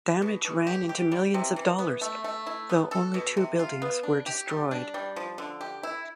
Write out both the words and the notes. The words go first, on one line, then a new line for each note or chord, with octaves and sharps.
Damage ran into millions of dollars, though only two buildings were destroyed.
B2
B2
G4
G4
G3
C3
E3
B3
A3
A3
E4
B3
A4
B2
C3
F4
B3
D4
G4
G3
D4
G3
F3
D3
G4
E4